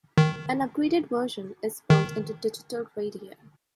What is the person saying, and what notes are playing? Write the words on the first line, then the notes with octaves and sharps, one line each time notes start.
An upgraded version is built into digital radio.
D#3
D#3